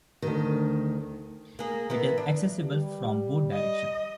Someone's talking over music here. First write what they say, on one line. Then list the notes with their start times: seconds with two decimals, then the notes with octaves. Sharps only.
It is accessible from both directions.
0.22 D2 D#3
1.59 A#3 G#4
1.90 E3 A#3 B3
2.18 D4
2.60 G3
3.53 D#5